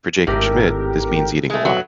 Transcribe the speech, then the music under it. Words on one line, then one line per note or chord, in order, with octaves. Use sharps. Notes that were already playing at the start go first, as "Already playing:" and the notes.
For Jacob Schmidt, this means eating a lot.
G#1 A2 G4 A#4
G#3 A3
F#3 B3